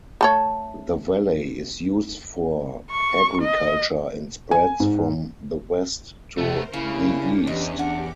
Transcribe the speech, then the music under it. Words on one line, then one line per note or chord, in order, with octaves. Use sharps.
The valley is used for agriculture and spreads from the west to the east.
A3 A4 C#5
C#6
D#5
G#5
G#2
C3 A3 B3 A#4 C5
C#3 A#3 C#4 D4 E4 G4
E2 E3 D#5
D4 G4 A#4 F#5 D6